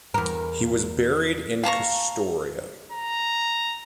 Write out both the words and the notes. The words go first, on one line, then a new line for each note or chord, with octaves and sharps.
He was buried in Kastoria.
E2 A#4
F5 A5 A#5 C#6
A#5